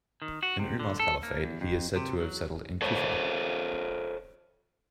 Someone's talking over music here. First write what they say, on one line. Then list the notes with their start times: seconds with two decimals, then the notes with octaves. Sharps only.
In Umar's caliphate he is said to have settled in Kufa.
0.22 D#3
0.43 F#4
0.59 C3
0.79 D3
1.00 A4
1.23 A#3
1.43 E2
1.61 F2
1.96 C3
2.20 F#3
2.82 A4 C5 C#5